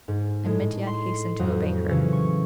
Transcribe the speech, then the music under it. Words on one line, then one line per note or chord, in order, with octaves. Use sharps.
And Mitya hastened to obey her.
G#2
A2 G#3
C6 C7
F2 F#3 D#6
C#3 E3 C#4
C#6